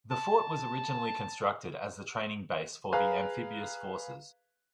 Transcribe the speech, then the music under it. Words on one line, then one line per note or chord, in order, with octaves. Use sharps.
The fort was originally constructed as the training base for the amphibious forces.
A5
G#4 B4 F5 A#5